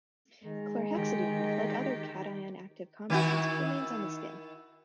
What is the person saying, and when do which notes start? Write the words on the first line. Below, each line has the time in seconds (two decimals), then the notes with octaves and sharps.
Chlorhexidine, like other cation-active compounds, remains on the skin.
0.44 D#3 G#3
0.92 D#3 G4
3.10 D#3 E4 F#4